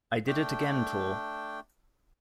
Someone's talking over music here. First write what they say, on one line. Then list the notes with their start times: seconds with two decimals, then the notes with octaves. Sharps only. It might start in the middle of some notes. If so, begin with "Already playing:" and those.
I Did It Again Tour.
0.27 A3 D4 G5